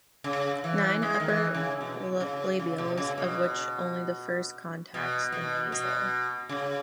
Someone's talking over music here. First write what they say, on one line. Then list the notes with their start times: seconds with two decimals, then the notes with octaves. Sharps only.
Nine upper labials, of which only the first contacts the nasal.
0.24 C#3
0.64 E3
1.02 G#3
1.20 D#3
1.28 E3
1.55 C#3
1.81 B2
2.20 C#3
2.59 C#3
2.78 B2
2.98 C#3
3.18 B2
4.94 B2
5.32 B2
5.72 B2
6.49 C#3